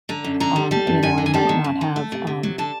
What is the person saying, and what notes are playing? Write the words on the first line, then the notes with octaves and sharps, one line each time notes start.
um, you know, I might not have, um,
D3 A#5
F#2
D3 A#5
G3
G3 A5
F#2
F#2 G#5
D3
G#5
G3 A5
D#3
F#2
D#3
A3
C3
C3
F#3
D3 A5